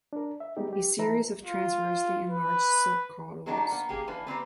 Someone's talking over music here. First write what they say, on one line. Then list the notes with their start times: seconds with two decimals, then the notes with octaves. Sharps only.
A series of transversely enlarged subcaudals.
0.13 D4 A#4
0.40 E5
0.57 G3 G#3 B3 D#4 G4
0.73 G4
0.99 E3 D#4 A4 B4 E5 A#5
1.46 F4
2.30 B4
3.46 F#3 G#3 B3 D4 D#4 G4
3.70 A#3 B3
3.89 A#3 G4 G#4
4.08 E3 A#3 D4 B4
4.27 G3 A#3 C4 B4